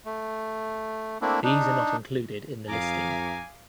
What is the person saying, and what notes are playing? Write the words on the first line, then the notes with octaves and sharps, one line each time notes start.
These are not included in the listing.
A3
A3 A#3 C4 D4 E4
D4 D#4
F2 F5 G#5 A#5 D6 D#6